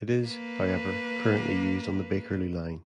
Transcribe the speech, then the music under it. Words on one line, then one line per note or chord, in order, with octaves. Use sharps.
It is, however, currently used on the Bakerloo line.
A#3 B4